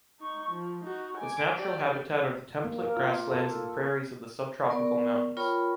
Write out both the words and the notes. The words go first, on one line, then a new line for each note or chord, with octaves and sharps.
Its natural habitat are the template grasslands and prairies of the subtropical mountains.
D#4 C#6
F3
D#4 F#4
G#5 D6
G4 D5
A#3
A#4
F4
A4
B3 A#4 D5 C#6
F4 A#4 C#5 G5 B5 C#6